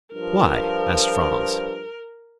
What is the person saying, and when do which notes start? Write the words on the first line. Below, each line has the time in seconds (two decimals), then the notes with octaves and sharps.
"Why?" asked Franz.
0.14 G2 F3 A#4